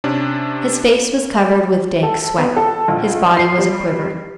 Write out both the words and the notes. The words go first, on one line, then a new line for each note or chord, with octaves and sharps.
His face was covered with dank sweat, his body was aquiver.
C3 C#4 D4
A4
B3
A4
A#1
C7
G3